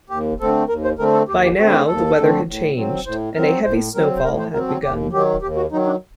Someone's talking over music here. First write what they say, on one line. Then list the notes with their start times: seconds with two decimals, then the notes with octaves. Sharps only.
By now the weather had changed and a heavy snowfall had begun.
0.10 D#2 G4
0.40 D3 A3 C4 A4
0.69 D#2 A#4
0.84 C5
0.99 D3 A3 C4 A#4
1.14 A4
1.28 D#2 G4
1.43 G4
1.57 D3 A3 C4 F#4
1.73 G4
1.87 D#2 A4
2.17 D3 A3 C4
2.47 A2
2.76 F#3 C4
3.06 A2 C5
3.35 F#3 C4 A#4
3.64 A2 C5
3.95 F#3 C4 A#4
4.17 C5
4.24 A2 A#4
4.39 C5
4.54 F#3 C4 A#4
4.68 A4
4.84 D#2 G4
5.13 D#3 F#3 G4
5.42 D#2 G4
5.57 F#4
5.71 D#3 F#3 D#4
5.86 D4